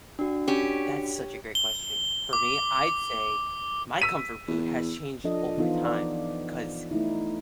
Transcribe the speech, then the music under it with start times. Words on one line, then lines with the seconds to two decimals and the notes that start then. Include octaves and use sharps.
that's such a great question. For me, I'd say my comfort food has changed over time 'cause
0.19 D4 F#4
0.47 C#4 G4
1.55 G7
2.33 D6
4.02 E6 B6 D#7
4.47 E2
5.24 F3 D4 A4 D#5
5.57 E3 B3 D#4 F4
5.85 D5
6.91 A3 D#4 E4